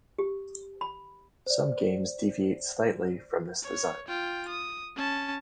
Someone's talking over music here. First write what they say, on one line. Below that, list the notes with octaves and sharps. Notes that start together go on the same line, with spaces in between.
Some games deviate slightly from this design.
G4
B5
C5 D5
C#5
F4 G5
D#6
C#4 A5